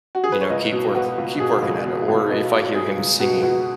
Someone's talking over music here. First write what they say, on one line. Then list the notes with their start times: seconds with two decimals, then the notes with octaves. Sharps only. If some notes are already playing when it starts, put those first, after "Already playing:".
You know, "Keep work keep working at it." Or if I hear him singing,
0.15 F#4
0.24 G#4
0.32 B4
0.41 C#5
0.50 C#2 B4 D#5
0.72 B2
0.95 B2 F#4 B4
1.18 C#2
1.40 B2 G#4
1.62 C#2
1.85 B2
2.08 C#2
2.30 B2 B4 D#5
2.52 B2
2.75 B2 G#4
2.97 C#2
3.20 B2 F#4 B4
3.42 C#2 F#4 B4